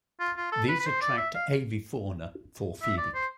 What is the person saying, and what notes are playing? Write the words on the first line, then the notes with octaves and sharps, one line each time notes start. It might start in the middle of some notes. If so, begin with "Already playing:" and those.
These attract avifauna for feeding.
F4
F4
A4
B4
B4
C5
D5
E5
F5
E5
D5
C5